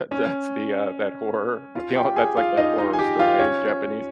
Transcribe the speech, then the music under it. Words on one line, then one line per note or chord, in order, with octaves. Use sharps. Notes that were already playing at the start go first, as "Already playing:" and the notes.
That's the, uh, that horror m you know? That's, like, that horror story, right? It's Japanese?
C#4 C#5
F4 F5
G4 G5
G#4 G#5
F4 F5
D#4 D#5
D#4 D#5
G#5
G4 G5
F4 F5
C#4 C#5